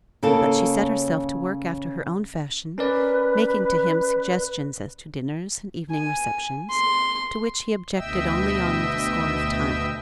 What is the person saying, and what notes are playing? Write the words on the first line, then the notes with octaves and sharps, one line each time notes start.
But she set herself to work after her own fashion, making to him suggestions as to dinners and evening receptions, to which he objected only on the score of time.
C#3 A#3 C#4 A4
C#4 A#4 B4 D5
G#5
C6
D2 B2 D#5 E5 G5 E6